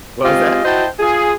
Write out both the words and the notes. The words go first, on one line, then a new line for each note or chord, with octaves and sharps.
What was that?
G#3 C4 F4 G4 C5 D#5
E4 F#4 C5 D#5 G5 A5
F4 G#4